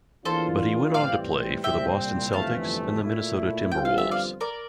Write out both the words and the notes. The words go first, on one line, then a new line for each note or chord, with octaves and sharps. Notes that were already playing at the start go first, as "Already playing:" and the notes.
But he went on to play for the Boston Celtics and the Minnesota Timberwolves.
E2 E3 A#3 D4 F4 A4 C5
A2 E3 G3 C4 D5 F5
C2 A#2 G3 C4 E5 G5
G1 F2 C3 E3 A3 F5 A5
A#2 A3 E4
G1 G2 F3 C4 F4 G5
F5
E5
D5 F5
A#4 D5